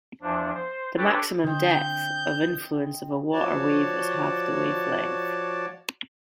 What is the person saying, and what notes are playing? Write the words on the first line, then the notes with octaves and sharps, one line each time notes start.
The maximum depth of influence of a water wave is half the wavelength.
E2 F3 D4
C5
D4 G4 A4 B4 C#5 D5
D3 C4 D#5 G6
F3 F#4 C#5 D5 A5